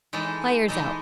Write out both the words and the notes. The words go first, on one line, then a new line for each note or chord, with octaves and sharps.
Fire's out!
E3 G#3 D#4 A4
E3 G#3 D#4 A4